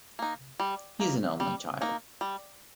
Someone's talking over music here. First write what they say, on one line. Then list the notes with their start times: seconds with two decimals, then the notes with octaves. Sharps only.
He is an only child.
0.19 A#3 D#4
0.60 G3
1.00 A#3 D#4
1.40 G3
1.81 A#3 D#4
2.21 G3